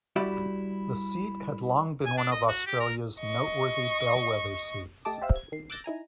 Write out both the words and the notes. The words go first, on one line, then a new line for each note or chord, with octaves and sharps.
The seat had long been one of Australia's noteworthy bellwether seats.
G3 E4 F#4 G4 D5 E5
G#5
D4
D#5
F#4
G4
A#4
D#5 C#6
A3 G4 D#5 A5 D6
G4 C5 E5 F5 E6
G#6
D#3 C7
D6 E6 F#6 G6 A6 A#6
D#4 E4 G#5 A#5